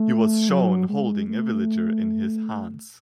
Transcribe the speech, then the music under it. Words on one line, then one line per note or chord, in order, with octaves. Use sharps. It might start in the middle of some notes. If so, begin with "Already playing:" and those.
He was shown holding a villager in his hands.
Already playing: A3
F#3
G#3
A3